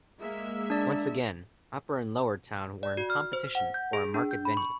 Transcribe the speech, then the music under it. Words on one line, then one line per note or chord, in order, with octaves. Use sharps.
Once again Upper and Lower Town were in competition for a market venue.
G#3 A#3 E5
D4 D5
D5
F#4
F6
C5
F#5
G6
G#4
D4
G6
B5
C#6